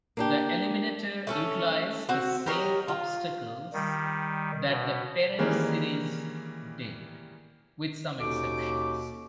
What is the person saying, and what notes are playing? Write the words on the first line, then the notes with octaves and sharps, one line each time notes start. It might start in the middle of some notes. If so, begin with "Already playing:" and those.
The Eliminator utilized the same obstacles that the parent series did, with some exceptions.
A#3 D4 G4
A3 C#4 A4
C4 F#4
G4 A#4 C#5 D#5
F4
D#3 G3
B2
D#3 E3 G3 G#3 A#3 C#4
D#2 B2 C#4 D#4 A4 D6